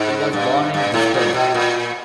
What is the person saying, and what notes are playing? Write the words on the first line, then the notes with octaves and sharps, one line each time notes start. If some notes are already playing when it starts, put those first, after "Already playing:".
He was born in Bristol.
Already playing: G#2
G2
G2
A2
A#2
B2
A#2